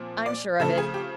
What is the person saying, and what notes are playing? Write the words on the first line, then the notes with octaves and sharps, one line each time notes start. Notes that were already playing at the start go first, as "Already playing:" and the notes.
I'm sure of it.
Already playing: A#2 F3 C4
D5
C#3 F3 A3 A4
G#4
G4